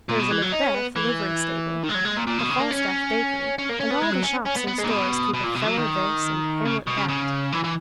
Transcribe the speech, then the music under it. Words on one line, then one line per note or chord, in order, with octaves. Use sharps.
There is a Macbeth livery-stable, a Falstaff bakery, and all the shops and stores keep Othello this and Hamlet that.
A#2
B2
E3
F#3
D#4
C#4
B3
E3
D#3
G#3
F#3
G#3
A#2
A#2
B2
C#3
A#3
C#4
C#4
A#3
C#4
B3
G#3
F#3
C#4
C#4
B3
B3
G#3
A#2
B2
B2
A#2
B2
F#3
D#3
C#3
B2
C#3
C#3
E3
E3